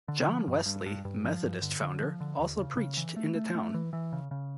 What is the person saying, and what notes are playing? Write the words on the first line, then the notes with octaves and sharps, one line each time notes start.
John Wesley, Methodist founder, also preached in the town.
D3
F3
G2
G2
G2
G2
F3
G2
D3
D3
F3
D3
D#2
C#3
C#3
E3
A3
A3
A3
E3
E3
C#3
C#3